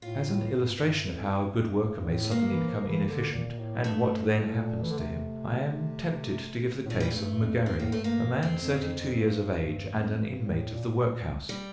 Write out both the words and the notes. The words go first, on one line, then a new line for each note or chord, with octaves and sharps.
As an illustration of how a good worker may suddenly become inefficient, and what then happens to him, I am tempted to give the case of M'Garry, a man thirty-two years of age, and an inmate of the workhouse.
A2 F4
A2
G2
G2 E4
F2
G2
F2
G2
A2
A3
G2 A#3
E3
F3
E3
D3
A#2
A2
G2 A3
G2
A2
A#2
A2
A2
A#2
E3
D3
C3
A2
A#2 A3
G3
A3
G2
F2
G2 C4
A2 A#3
G2 A3
A#3
F2 C4
F2
F2
F2
G2
G2
F2
G2
A2
A#2
G2
A2
A#2
G3